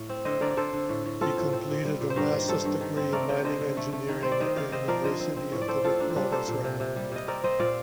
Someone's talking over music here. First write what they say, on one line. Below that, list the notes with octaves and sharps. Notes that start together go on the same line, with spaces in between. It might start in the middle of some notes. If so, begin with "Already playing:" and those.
He completed a master's degree in mining engineering at the University of the Witwatersrand.
Already playing: A2
C4
D3 C5 D#5
D3 A#4 D5
D5
D3 A4 C5
D3
A2
A2
C4 F4 A4
A2
C4
A#2
G3
A#2
C5
G2 G4 A#4
D#3
G2 A4 C5
G2
D#3
C4
A3 A#4 D5
C3
D3 C5 D#5
D3
A3
A3
D#3
C4 C5
D5
D#3 C5 D#5
C3 D5 F5
C4 C5 D#5
F3 A#4 D5
D3 C5 D#5
C4
C4
A2
D5
C4 A4 C5
C4 F4 A4
A#3 D4
C4
G3 D4
A#3 A4 C5
A#2
C3
C3
G3
C3 D#5
C4 A#4 D5
C4 C5 D#5
A#2 D5 F5